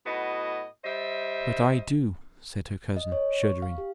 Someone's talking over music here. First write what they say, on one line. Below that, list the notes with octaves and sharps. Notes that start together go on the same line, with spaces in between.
'But I do,' said her cousin, shuddering.
A2 B3 F#4 D#5
G3 C5 D#5 E5
D#5
C#5
C#6
F5
G4